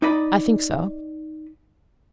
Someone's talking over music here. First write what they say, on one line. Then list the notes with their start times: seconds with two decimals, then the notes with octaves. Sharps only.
"I think so."
0.02 D#4 D5 D#5 B5